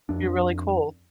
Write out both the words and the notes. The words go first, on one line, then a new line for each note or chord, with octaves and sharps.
You're really cool.
F2 D4